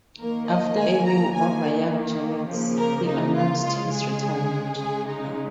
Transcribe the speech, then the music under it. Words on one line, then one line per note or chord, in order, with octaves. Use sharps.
After a win over Young Jennings, he announced his retirement.
D#3 A#3 A#4
D#5
G#5
A#5
D#3 A#3 G#5
C#3 F3 A#3
A#4
D#4
F4
C#3 G#3 F4
G#4
C#3 G#3 G#4
D#4